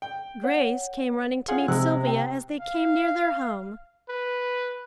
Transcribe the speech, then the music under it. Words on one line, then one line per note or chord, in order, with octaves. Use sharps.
Grace came running to meet Sylvia as they came near their home.
G5
C#5 F#5
F4 G#4 F#5
C3 G#3 E6 F#6
G5
F5
B4